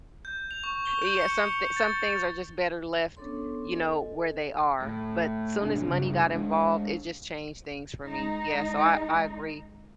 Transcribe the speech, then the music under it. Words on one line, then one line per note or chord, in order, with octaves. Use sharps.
Yeah. Some thi some things are just better left, you know, where they are, but, soon as money got involved, it just changed things for me. Yeah. So I I agree
G6
F7
C#6
G7
G6
C#7
A6
B3 C#4 D4 A4 C#5 C6
A4 D#5 G#5
A2
A1 C3 D4
G2 C#3
G#3 D4
G#3 D#4